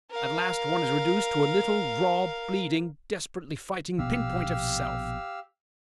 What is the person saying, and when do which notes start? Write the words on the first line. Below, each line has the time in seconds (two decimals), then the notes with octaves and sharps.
At last one is reduced to a little, raw, bleeding, desperately fighting, pin-point of SELF....
0.11 A#4 F5
3.98 A#1 B2 B3 G4 F5 E6